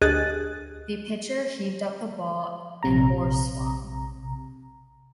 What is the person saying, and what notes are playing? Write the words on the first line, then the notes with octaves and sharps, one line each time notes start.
The pitcher heaved up the ball and Orr swung.
D2 G4 G#4 D#5 F#6 A6
A#1 C3 A#5